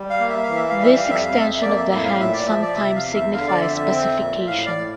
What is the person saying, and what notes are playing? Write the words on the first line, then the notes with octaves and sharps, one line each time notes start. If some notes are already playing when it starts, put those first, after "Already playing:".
This extension of the hand sometimes signifies pacification.
Already playing: G3
F5
A#3
E5
F5
E3
E5
F5
G3
E5
F5
F2 E5
F5
F2 E5
E5
A#3 D5
E5
A2 E5
F5
A#2 E5
D5
F3 E5
D5
C3 E5
F5
E2
E5
D3 F5
D5
F2 E5
E5
C4
A#2
A2 F5
D5
A2